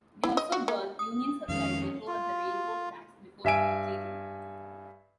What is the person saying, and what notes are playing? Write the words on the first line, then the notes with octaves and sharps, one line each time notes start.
They also burned Union supplies and tore up the railroad tracks before retreating.
E4
D#5
F#4
A#3
D#6
F2 D#3 G#3 C#4 F5
F4
G2 E5 G#5 D7